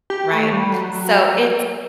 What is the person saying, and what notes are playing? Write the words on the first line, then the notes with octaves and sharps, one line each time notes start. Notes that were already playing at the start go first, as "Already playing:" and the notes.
Right. So it's
G4
A3
G3
F#3